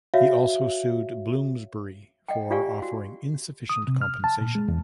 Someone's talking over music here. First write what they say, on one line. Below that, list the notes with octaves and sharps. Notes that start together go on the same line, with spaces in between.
He also sued Bloomsbury for offering insufficient compensation.
F#4 C#5 E5 F5
D#5 F#5 G5
F4 G4 D5 F5 G#5 C#6
F#4
D#6
C3
F6
A5
A#2
G#3
E2